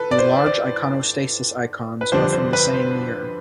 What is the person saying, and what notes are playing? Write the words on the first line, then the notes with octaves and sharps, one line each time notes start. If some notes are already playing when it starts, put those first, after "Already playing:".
The large iconostasis icons are from the same year.
Already playing: A4 B4
D5
C5
D5
B4
F2 D3 G3 D4 C5
C5
B4
C5